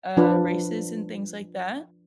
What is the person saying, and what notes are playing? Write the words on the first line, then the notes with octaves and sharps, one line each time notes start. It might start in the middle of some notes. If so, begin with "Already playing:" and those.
uh, races and things like that.
F3 D4 F4 B4